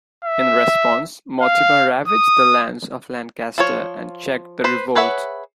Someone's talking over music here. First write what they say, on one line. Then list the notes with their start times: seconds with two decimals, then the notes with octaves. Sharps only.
In response, Mortimer ravaged the lands of Lancaster and checked the revolt.
0.25 E5
1.42 F5
2.08 D#6
3.58 F3 F4 C#5
4.64 B4 C5
4.95 G#4 B4 C#5 E5 F#5